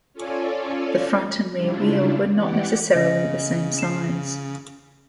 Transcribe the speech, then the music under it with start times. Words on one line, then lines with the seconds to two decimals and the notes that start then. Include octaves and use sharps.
The front and rear wheel were not necessarily the same size.
0.13 C#4 F4 A4 C#5 D5 G#5
1.54 C#3 G3 D4 E4 F4
2.33 E3 G4 D5 F#5
2.95 C#3 D#5 A#6
3.79 C7 E7